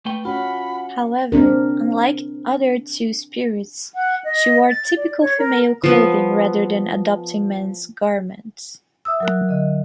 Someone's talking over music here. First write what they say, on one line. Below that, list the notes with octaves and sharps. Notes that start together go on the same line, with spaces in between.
However, unlike other Two-Spirits, she wore typical female clothing rather than adopting men's garments.
A3 B4 G5
C#4 F4 F#4 F#5 B5
C4 D4 A#4
F#5
D#5
A6
D5
C#5
A#4
F3 B3
E5 D#6 E6
F#3 A#4 F#6
D3 D#5